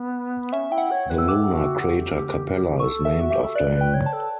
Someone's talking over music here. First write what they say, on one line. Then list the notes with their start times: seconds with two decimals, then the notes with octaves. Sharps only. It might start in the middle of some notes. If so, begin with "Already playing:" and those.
The lunar crater Capella is named after him.
Already playing: B3
0.53 C#4 E5
0.71 E4 G5
0.78 F#5
0.91 C#5
1.10 B4
1.18 E6
1.28 A4 D6
1.53 F#4
1.79 G4
2.80 A4 C#6
3.05 E5
3.21 F#4
3.30 G4 E5
3.44 A4
3.55 B4 D5
3.74 B4
3.81 G5
3.94 C#5
4.06 A5
4.13 A4